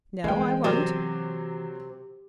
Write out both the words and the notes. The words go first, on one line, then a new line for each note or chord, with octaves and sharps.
No, I won't.
E3 G#3 A#3 G5
C3 F#3 C4